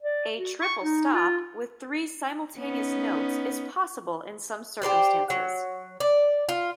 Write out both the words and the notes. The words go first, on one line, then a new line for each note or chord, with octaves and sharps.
A "triple stop" with three simultaneous notes is possible in some circumstances.
D5
F#4
C#6
D#4
F4
B3 C#4 D#4
G4 A#4 C5 D5
F#3
D5
F4